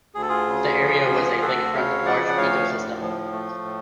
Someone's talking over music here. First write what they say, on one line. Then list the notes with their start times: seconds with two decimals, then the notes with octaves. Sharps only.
The area was a lakefront marsh ecosystem.
0.14 D2 G#4
0.22 A4
0.28 F4 G#4
0.47 C#3
0.78 F3
1.09 D2
1.42 D2 F#4 A4
1.73 C#3 C#5 F5
2.05 F3 D5 F#5
2.29 F#5
2.37 D2 C#5 F5
2.69 A2
3.01 F3
3.32 A3
3.65 A2